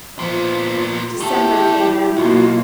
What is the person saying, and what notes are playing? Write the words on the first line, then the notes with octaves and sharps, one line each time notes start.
December came in.
A#2 F3 B3 F4
D#3 E4 G4 A4
B1 A#3 F4 F#4